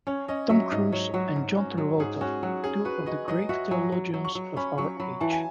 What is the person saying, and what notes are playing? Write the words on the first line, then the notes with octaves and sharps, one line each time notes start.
Tom Cruise and John Travolta - two of the great theologians of our age.
C#4 C#5
C#4 D#5
F#3 E5
G#2 D#5
F#3 C#5
F#3 F#4
G#2
C#4
F#3
G#2 G#4
C#4 F#4
F#3 F#4
C#4 G#4
F#4 B4
F#4 D#5
F#3 D#5
F#4 E5
F#3 G#5
F#3
F#3
C#6
F#3
C#4 B5
F#3 C#6
F#3 B5
E3 A5
G#5